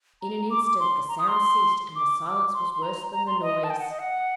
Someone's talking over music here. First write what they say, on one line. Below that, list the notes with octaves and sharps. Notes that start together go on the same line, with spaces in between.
In an instant the sound ceased and the silence was worse than the noise.
A#5
D6
D6
C6
A#5
D#6
C6
D6
D6
C6
C6
A#5
A#5
C6
D#5
A5
G5
F#5
D#5
F#5